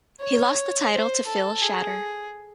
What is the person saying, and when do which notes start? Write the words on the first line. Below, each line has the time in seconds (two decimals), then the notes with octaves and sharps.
He lost the title to Phill Shatter.
0.20 C#5
0.91 C5
1.27 A4
1.62 G#4